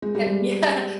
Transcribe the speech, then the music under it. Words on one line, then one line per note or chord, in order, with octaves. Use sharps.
Eh yeah,
G#3
G3
G#3